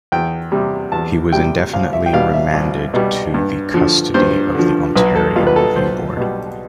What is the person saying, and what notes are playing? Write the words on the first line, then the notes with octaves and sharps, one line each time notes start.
He was indefinitely remanded to the custody of The Ontario Review Board.
E2 G5
C3 G3
E2 A5
C3 G3 G5
C2 F5
E5
G5
B2 G3 F5
E5
C2
B2 G3
G2
D3 F3
G2 C5
D3 F3
B1 B4
A4
B2 G3 F4
B4
A4
B1 C5
B2 G3